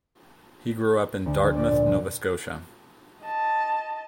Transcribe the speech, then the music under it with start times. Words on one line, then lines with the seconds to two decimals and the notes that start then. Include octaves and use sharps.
He grew up in Dartmouth, Nova Scotia.
1.26 D2
1.45 F3
1.56 D5
1.71 A#2
1.87 F3
3.24 D#5 A5